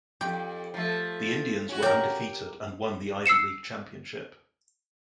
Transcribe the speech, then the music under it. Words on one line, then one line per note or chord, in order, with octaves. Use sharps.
The Indians were undefeated and won the Ivy League championship.
F2 G4
F3 A3
C#4 F#4
G4 A#4 C#5
E6 C7 C#7 E7